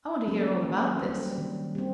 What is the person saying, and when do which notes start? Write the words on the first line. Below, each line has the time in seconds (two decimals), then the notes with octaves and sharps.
I want to hear all about this.
0.28 F#3 A#3 C#4
0.65 D#3
1.02 G3 C4
1.38 D#3
1.75 G3 C4